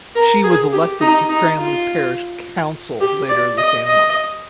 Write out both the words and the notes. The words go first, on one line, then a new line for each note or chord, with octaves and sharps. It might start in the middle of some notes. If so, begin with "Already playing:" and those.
She was elected to Cranleigh Parish Council later the same month.
A#4
G#4
G4
D#4
D#4
F4
G4
D5
D#5
D#5